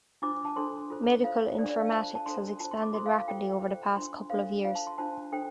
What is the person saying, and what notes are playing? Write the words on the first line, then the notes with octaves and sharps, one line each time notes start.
Medical informatics has expanded rapidly over the past couple of years.
D4 F4 C5 D6
A5
D4 A4 C5 C6
F4 A4 C5
F4 A4 C5 F5
D4 A4 C5 D5
D5
F5
F4 C5 A5
A5
D4 A4 C5 C6
F4 C5 A5
C6
D6
F4 A4 C5 C6
F5
F5
F4 A4 C5 G5
F4 C5
D4 F4 C5 C6
D4 A4 C5 F5
F4 C5 F5
A5
C6
D4 F4 C5 A5
D4 A4 C5 G5